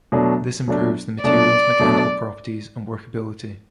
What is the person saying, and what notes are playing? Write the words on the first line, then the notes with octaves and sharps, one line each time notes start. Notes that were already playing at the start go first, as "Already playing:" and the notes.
This improves the material's mechanical properties and workability.
B2 F#3 A3 D4
B2 F#3 A3 D4
B2 F#3 A3 D4 D5
B2 F#3 A3 D4